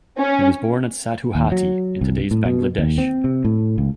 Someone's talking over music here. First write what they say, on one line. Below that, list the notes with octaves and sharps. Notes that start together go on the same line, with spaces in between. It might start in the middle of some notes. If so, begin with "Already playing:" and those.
He was born at Sadhuhati in today's Bangladesh.
C#4
D#2
F#3
C2
A2
B2
D#2
C4
C3
A2
C#2